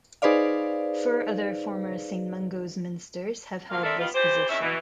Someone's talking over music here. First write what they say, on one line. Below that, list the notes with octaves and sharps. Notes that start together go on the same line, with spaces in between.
Four other former Saint Mungo's ministers have held this position.
D#4 G#4 B4 C5 D5 F5
F#3 A#3 F4 F5
A3 C4 D4 A4 A#4 E5
G3 B3 D#4 F4
E3 F4 G4 C5
C3 D#3 C#4 E5
B2 E3